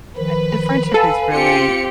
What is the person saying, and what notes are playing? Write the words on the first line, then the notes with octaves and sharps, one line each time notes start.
eh, the friendship is really
D#3 F3 B4
A4 F5 G#5
C4 F4 G4 C#7